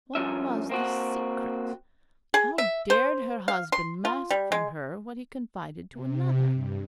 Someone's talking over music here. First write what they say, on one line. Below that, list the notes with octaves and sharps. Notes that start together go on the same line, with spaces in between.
What was this secret? How dared her husband mask from her what he confided to another?
G2 F3 C#4 E5
A#3 C4 F#4
G#4
E5
C5
F5
C6
F4
G3
G#3
C3
G2